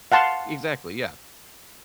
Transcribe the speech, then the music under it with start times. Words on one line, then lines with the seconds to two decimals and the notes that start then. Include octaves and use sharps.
Exactly, yeah.
0.12 F5 F#5 A5 C6